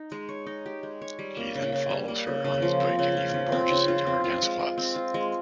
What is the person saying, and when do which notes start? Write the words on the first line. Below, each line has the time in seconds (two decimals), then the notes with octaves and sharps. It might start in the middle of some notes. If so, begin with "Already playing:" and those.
He then follows her on his bike and even barges into her dance class.
Already playing: D#4
0.12 G#3
0.29 C#5
0.46 D#4
0.66 G4
0.83 G#3
1.02 C#5
1.19 G3
1.37 A#3
1.55 C#3
1.72 C#3
1.90 G3
2.08 A#3
2.27 C#3
2.44 C#3
2.62 F3
2.80 C4
2.99 C#3
3.17 F4
3.34 F3
3.52 C4
3.70 C#3
3.88 F4
4.07 C4
4.24 F4
4.42 G#3
4.60 G#3
4.78 C4
4.96 F4
5.14 G#3